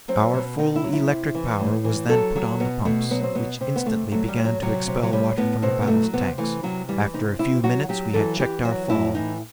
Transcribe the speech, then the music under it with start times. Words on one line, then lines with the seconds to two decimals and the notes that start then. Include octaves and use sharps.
Our full electric power was then put on the pumps, which instantly began to expel water from the ballast tanks. After a few minutes we had checked our fall.
0.08 F#3 C4
0.34 B2
0.58 B2 D#4
0.76 E4
0.84 F#3
0.93 E4
1.09 C3
1.35 E3
1.60 A2
1.84 E3
2.09 F#3 A4
2.35 F#3
2.60 B2 B3
2.85 B2 A3
3.11 F#3 B3
3.23 C4
3.35 B2 B3
3.61 C3 C4
3.76 B3
3.86 C3 A3
4.12 F#3 A3
4.28 G3
4.37 A2
4.45 F#3
4.62 C3 F#3
4.88 C3
5.03 F#3
5.13 A2 G3
5.37 A2 B3
5.62 B2 C4
5.82 B3
5.88 F#3 A3
6.13 C3 B3
6.38 E3 A3
6.63 C3 F#3
6.89 E3 G3
7.14 C3 D#4
7.39 C3 E4
7.64 F#3 F#4
7.89 F#3 G4
8.14 E3 A4
8.39 E3 G4
8.65 F#3 F#4
8.90 A2 E4
9.15 E3 D#4